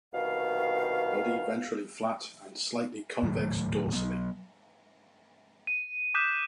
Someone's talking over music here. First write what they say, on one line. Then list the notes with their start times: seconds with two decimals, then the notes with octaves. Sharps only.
Body ventrally flat and slightly convex dorsally.
0.13 C2 B2 D#3 F5
3.23 A2 D#3 F#3 A3
3.93 F#3 B3
5.67 D#7
6.14 D6 D#6 F#6 G6 B6 E7